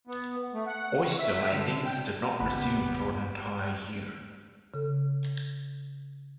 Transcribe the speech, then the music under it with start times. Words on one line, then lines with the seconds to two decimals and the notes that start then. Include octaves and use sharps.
Oyster landings did not resume for an entire year.
0.07 B3
0.54 A3
0.67 F#5
1.01 C#6
1.18 E5
1.51 D3
1.85 G5
2.40 G#1 E2 C#3 B3 G4 F#5 B5
4.74 C#3 A4